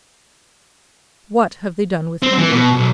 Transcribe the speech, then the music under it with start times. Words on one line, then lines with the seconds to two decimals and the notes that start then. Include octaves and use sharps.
What have they done with my work?
2.22 C4
2.38 E3
2.52 B2
2.75 B1